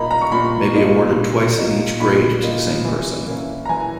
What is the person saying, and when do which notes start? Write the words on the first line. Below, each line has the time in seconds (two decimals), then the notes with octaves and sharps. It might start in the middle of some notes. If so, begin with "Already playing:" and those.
May be awarded twice in each grade to the same person.
Already playing: A#2 A#3 D#4 A#5 B5
0.11 A#5
0.22 C#6
0.32 A#2 B5
0.74 A#3 D#4
1.16 A#2
1.58 A#3 D#4
2.00 A#2 B5
2.42 A#3 D#4
2.85 E3
3.27 A#3 C#4 E4
3.65 A#5
3.69 E3 G#5